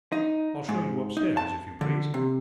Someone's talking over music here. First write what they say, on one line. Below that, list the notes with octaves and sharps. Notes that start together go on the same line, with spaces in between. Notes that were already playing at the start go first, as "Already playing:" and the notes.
I'll show you upstairs, if you please.'
D#4
G#2
D#4
A5
D3
C3